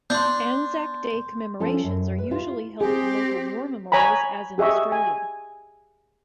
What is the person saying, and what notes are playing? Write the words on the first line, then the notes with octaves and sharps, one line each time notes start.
Anzac Day commemorations are usually held at local war memorials as in Australia.
B3 D4 C6 G6
F3 C#4 F4 A4 A5
F#2
B4
E4 F4 G4 F5
C4 G4 G#4
C#5 G#5 A#5 B5
G4 G#4 D#5 E5 C#6
G#5